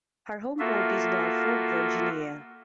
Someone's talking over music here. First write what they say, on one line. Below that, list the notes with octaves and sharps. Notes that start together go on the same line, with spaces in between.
Her home port is Norfolk, Virginia.
A#3 F4 F#4 A4 E5